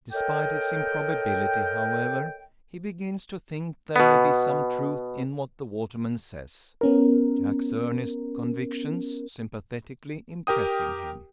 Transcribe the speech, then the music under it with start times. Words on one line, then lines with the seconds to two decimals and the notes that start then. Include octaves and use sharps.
Despite its improbability, however, he begins to think there may be some truth in what the waterman says--Jack's earnest convictions sympathetically impressing him.
0.13 A4 A#4 C#5 D#5 G5
3.96 B2 B3
6.81 B3 C#4 A#4
10.47 G4 A#4 G5 D#6